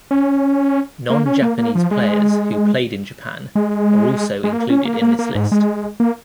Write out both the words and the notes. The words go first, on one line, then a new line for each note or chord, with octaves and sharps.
Non-Japanese players who played in Japan are also included in this list.
C#4
A#3
C#4
A#3
A#3
F3
G#3
G#3
G#3
A#3
C#4
A#3
A#3
A#3
G#2
G#3
A#3